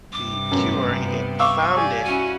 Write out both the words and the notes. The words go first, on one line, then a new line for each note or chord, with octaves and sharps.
the cure he had found it,
G2 C3 D6
F#2 A2 B3
B3
F5 C#6 D6 E6
G4 D5 G#5
C#4 E4 F#4 G#5